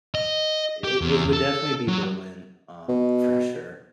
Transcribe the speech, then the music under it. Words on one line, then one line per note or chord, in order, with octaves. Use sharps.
It it would definitely be Berlin, um, for sure.
D#5
G4
E2
A4
F#3
B2